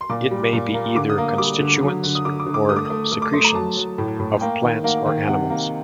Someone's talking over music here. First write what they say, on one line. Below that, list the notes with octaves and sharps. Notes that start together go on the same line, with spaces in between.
It may be either constituents, or secretions, of plants or animals.
C6
A#2 D6
G3
A#2
A#3
D3 D6
D#6
A#3
G3 D6
D3
F#3
D3
D#6
D3 D6
D6
D3
D6
A3 D#6
D6
D#6
A3
A3 D#6
D6
A3 C6
A#5
F#3 A5
F#3
A2
A2
A#3 G5
D#3
A#3 F#5
D#3
C3 F#5
A#3